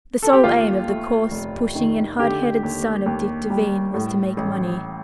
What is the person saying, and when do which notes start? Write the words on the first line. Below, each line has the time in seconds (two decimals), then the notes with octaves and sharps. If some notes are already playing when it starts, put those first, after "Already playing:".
The sole aim of the coarse, pushing and hard-headed son of Dick Devine was to make money.
0.23 A4
0.33 G4
0.43 D#2 F4
0.88 A3
1.31 F1
1.75 D#3
2.19 D3 G4
2.63 D#2
3.06 D#2
3.50 G3
3.94 A2
4.37 A1